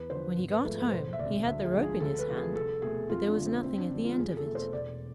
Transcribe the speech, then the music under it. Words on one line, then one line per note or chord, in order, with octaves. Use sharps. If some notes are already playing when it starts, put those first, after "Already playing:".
When he got home he had the rope in his hand, but there was nothing at the end of it.
Already playing: E2 B4
D3 F3 C5
G#1
B4
G#2 F3 A3 A4
B4
E1 C5
E5
D2 C3 D5
D2 E5
G#4
D3 F3 G#3
G#4
D2 A4
B4
C3 F3 A3
G#4
C2 A4
B2 A3 G#4
F2 F4
D4
D3 A3
C4
F2 C4
D4
D3 F3 G#3 D4
F4
E2 G#4
A4
B2 A3
C5
E1 D5